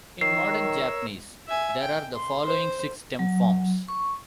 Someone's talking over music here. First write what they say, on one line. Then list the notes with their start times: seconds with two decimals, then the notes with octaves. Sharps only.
In modern Japanese there are the following six stem forms.
0.21 D#3 A#4 C#5 E6 C7
1.48 E5 G#5
1.81 G5
2.14 C6
2.46 C5
3.19 F#3
3.88 C#6